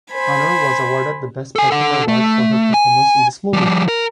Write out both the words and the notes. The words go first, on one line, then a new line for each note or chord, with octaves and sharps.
Aunor was awarded the Best Performer award for her performance in this movie.
C5 G#5 B5
A4 G#5
A4 F#5
A3
G#5
F3 G3
A#4